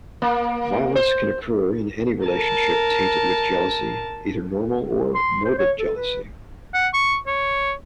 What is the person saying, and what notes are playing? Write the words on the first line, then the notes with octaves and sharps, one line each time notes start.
Violence can occur in any relationship tainted with jealousy, either normal or morbid jealousy.
A#3
C5
A#4 A5
C6
C5
C#5
A4
B4
F#5
C#6
C#5